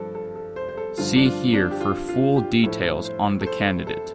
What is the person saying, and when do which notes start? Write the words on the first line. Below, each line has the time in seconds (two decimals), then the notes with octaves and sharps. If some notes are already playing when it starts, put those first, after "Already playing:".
See here for full details on the candidate.
Already playing: G2 F3 A4
0.15 A4
0.35 A4
0.56 C5
0.69 C5
0.77 A4
0.98 G2 D3 F3 F4
1.16 D4
1.25 F4
1.54 D4
1.71 G4
1.81 F4
2.09 F4
2.36 G4
2.63 A2 F3 A4
3.05 C5
3.41 A4
3.47 C5
3.87 A4